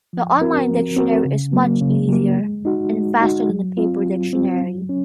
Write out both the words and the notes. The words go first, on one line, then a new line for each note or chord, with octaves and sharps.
The online dictionary is much easier and faster than the paper dictionary.
F3
C4 F#4 A#4
F3
C4 F#4 A#4
C#3
F#3 A#3
C#3
F#3 A#3
G#3
D#4 F#4
G#3
D#4 F#4
F#3
C4 F4
F#3
C4 F4
F#3
C#4